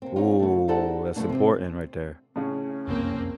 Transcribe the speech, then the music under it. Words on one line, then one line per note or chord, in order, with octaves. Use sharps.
Ooh, that's important right there.
C3 A#3 C4
C4 C#4 D#4 F4
C#3 A3
D#4 G4 A4 C5 D5 F#5
D3 F3 G3 A3 A#3 D4
C3 C4
A2 C#3 C#4
F#1 C2 F2 A#3 C4